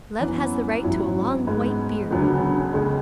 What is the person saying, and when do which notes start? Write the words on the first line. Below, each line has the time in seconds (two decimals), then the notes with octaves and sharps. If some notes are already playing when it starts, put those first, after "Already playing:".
Love has the right to a long white beard.
0.20 F#2 E3 B3
0.84 A1 G#2 F#3 C#4 E4
1.47 G#2 G#3 B3
2.11 E1 D2 C#3 F#3 B3
2.73 C#2 C#3 G#3